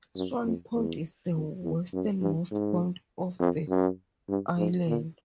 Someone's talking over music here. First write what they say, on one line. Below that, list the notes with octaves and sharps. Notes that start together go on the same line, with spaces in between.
Swan Point is the westernmost point of the island.
F#2
F2
E2
F2
E2
F#2
G2
G#2
F2
F#2
G2
G#2
A#2